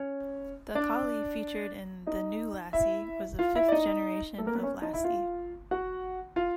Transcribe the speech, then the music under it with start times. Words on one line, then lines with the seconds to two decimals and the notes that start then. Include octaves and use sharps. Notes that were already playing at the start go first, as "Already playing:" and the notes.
The collie featured in "The New Lassie" was a fifth generation of Lassie.
Already playing: C#4 C#5
0.75 D4 D5
2.07 D#4 D#5
2.73 E4 E5
3.39 F4 F5
3.55 E4 E5
3.68 D5
3.72 D#4 D#5
4.38 A3 A4
4.46 A#3 A#4
4.55 B3 B4
4.63 C#4 C#5
4.82 D#4 D#5
4.93 E4 E5
5.04 F4 F5
5.71 F#4 F#5
6.36 F4 F5